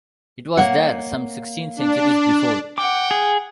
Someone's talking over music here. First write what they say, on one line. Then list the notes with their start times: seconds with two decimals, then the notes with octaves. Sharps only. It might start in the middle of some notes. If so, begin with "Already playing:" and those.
It was there some sixteen centuries before.
0.57 A#3 C#5 F#5
1.76 D4
2.78 F#5 G5 D6
3.11 G#4